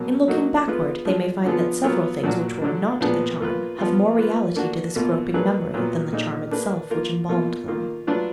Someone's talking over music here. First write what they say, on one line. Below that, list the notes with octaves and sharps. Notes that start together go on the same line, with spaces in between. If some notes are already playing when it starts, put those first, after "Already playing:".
In looking backward they may find that several things which were not the charm have more reality to this groping memory than the charm itself which embalmed them.
Already playing: B2 F#3 A#3
F#3 A#3 D#4 F#4
G#3 B3 F4 B4
F3 G#3 D4
D3 F3 B3 F4 G#4
F#3 B3 F4 A#4
A#2 F#3 D4 F#4
D3 F#3 D4
A#2 F3 B3 D4 G#4
A#3 F4 B4
F3 B3 F4
A#3 F4 B4
A#3 D4 F#4
B2 A#3 F4
F#3 A#3 D4 G#4 B4
A#2 F#3 B3 F4
A#2 G#3 D#4
A#3 D4 G#4 B4
A#3 F4 A#4
B2 A#3 F4
D#3 A#3 F4
F#3 D4 F4 B4